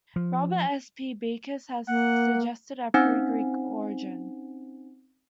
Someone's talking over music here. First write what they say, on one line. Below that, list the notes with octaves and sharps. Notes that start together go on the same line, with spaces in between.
Robert S. P. Beekes has suggested a Pre-Greek origin.
F3
A#3 F#5
C4 C#4 D#4 C5 F#5 G#5